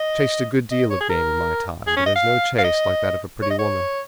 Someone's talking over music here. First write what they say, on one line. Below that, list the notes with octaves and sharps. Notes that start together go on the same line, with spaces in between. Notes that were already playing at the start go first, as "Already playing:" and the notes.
I've chased a good deal of game in my time, but there's no chase like that of a pretty woman.
Already playing: D#5
D#5
C#5
G#4
A#4
G#4
C#4
D#5
F5
F5
D#5
C#5
D#5
C#5